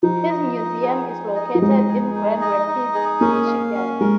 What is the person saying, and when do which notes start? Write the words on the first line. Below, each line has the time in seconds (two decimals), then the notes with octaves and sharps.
His Museum is located in Grand Rapids, Michigan.
0.03 F3 D#4
0.30 D#5
0.56 D#4
0.82 G#4
1.09 D#4
1.36 D#5
1.55 F3
1.62 G#3 D#4
1.89 G#4
2.15 D#4
2.41 D#5
2.68 D#4
2.94 G#4
3.21 A#3 C#4
3.47 F5
3.74 C#4
4.01 G#3 A#4